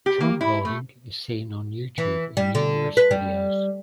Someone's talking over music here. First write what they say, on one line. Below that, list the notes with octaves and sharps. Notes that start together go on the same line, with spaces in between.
Trampboarding is seen on YouTube in numerous videos.
G4
A#3
E4
A3
E3
G3
D3
B4
G3